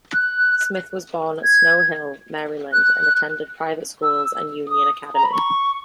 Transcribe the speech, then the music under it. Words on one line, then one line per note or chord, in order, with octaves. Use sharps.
Smith was born at Snow Hill, Maryland, and attended private schools and Union Academy.
F#6
G#6
F#6
E6
D#6
A#5
B5
C#6